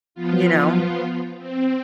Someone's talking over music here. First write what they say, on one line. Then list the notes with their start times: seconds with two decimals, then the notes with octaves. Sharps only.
You know?
0.15 F3 B3 F4
1.38 C4